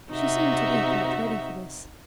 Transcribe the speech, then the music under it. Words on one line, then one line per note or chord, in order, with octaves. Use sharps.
She seemed to be quite ready for this.
C3 D#4 F#4 E5